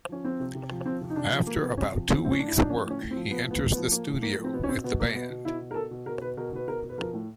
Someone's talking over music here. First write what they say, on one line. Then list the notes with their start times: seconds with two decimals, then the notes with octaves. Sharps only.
After about two weeks' work, he enters the studio with the band.
0.09 F3 C#4
0.25 F3 C4
0.40 C3
0.55 C3
0.70 F3
0.85 F3 C4
1.01 C3
1.10 D#4
1.16 C3 D4
1.31 F3
1.47 F3 A#3
1.62 C3 B3
1.77 C3 C#4
1.93 F3
2.08 F3 C4
2.24 A2 C4
2.31 C#4
2.39 A2 D4
2.48 E4
2.54 F3 D#4
2.62 D4
2.69 F3 C#4
2.85 A2
2.90 C#4
3.00 A2
3.11 C4
3.16 F3
3.30 F3 B3
3.46 A2
3.51 B3
3.61 A2
3.72 B3
3.77 F3
3.92 F3 A#3
4.07 A2
4.22 A2 A#3
4.38 F3
4.44 C4
4.53 B2 B3
4.63 C#4
4.69 B2 C4
4.84 B2 B3
5.00 B2 A#3
5.14 B2 B3
5.30 B2
5.45 B2 E4
5.60 B2
5.71 A#4
5.75 B2 A4
5.91 B2
6.06 B2 A#4
6.21 B2 B4
6.37 B2 A#4
6.53 B2 B4
6.67 B2 A#4
6.84 B2
6.89 B4
6.98 F3 A#4
7.13 A2